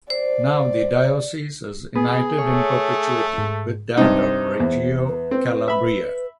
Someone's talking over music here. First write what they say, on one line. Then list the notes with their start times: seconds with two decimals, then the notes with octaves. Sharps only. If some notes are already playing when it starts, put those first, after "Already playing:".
Now the diocese is united in perpetuity with that of Reggio Calabria.
0.10 C5 D5
1.96 B3 G#4
2.39 A3 C#5
3.38 G#2
3.97 G2 C3 D#4 C5
4.60 E2
5.08 B4
5.31 C4
5.68 E5 B5